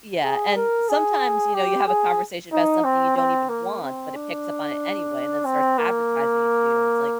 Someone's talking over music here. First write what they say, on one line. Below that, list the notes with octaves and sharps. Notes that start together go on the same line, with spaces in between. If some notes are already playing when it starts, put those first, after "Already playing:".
Yeah, and sometimes, you know, you have a conversation about something you don't even want, but it picks up on it anyway and then starts advertising it to you, and it's like,
G#4
A#4
G#4
G4
G#4
D#4
C4
C4
A#3
C4
D4
C4
A#3